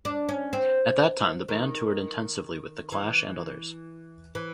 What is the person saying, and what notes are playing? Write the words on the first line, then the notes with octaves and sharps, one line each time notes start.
At that time the band toured intensively with The Clash and others.
D4
C#4
C4
D#3
E3
E3